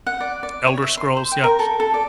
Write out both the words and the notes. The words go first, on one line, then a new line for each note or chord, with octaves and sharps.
Elder Scrolls, yeah.
F#5
D5
D5
C#5
E5
C6
C5
G5
A#4
A4
A4
D5